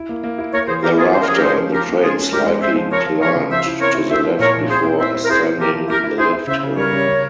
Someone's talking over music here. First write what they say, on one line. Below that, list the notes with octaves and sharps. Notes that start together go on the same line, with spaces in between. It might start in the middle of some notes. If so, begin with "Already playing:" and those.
Thereafter the train slightly climbed to the left before ascending the lift hill.
Already playing: E4
A#3
A#3
E4
A#3 A#4 C#5
E3 G#4 C5
E4 G4 A#4
A#3 F4 G#4
C#4 C5
A#4
F3 G#4
G4 A#4
C#4 G#4 C5
F3
F3 G4 A#4
A#3
F3 F4 G#4
C#4
G#3 G4 A#4
G#3
C4 C5 E5
F3
F3 A#4 C#5
F3
F3 A#4 C#5
C#3
F3 C5 E5
E4
C4 A#4 C#5
E4
E4 C5 E5
F3
A#2 A#4 C#5
F3
C4 G#4 C5
E4
C4 C5 E5
C4
A#4
E4 G#4 C5
E4
F3 G4 A#4
F3
E4 G4 A#4
E4
E4 G#4 C5
E4
C#3 C5 E5
C#3
G3 A#4 C#5
C#3
C#3